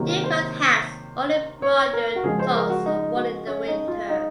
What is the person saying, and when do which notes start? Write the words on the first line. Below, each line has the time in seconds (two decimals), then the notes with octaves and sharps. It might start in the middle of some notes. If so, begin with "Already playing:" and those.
Yukon hats or embroidered toques are worn in the winter.
Already playing: C3 D#3 F#3 A#3
0.09 A#4
0.24 C5
1.62 C#5
1.93 A#4
2.16 F#4
2.24 C#3 F3 G#3 G#4
2.39 C5
2.55 A#4
2.70 F#4
2.86 D#4
3.16 F#4
3.47 C#4
3.68 D#4
3.88 F4
4.09 D#4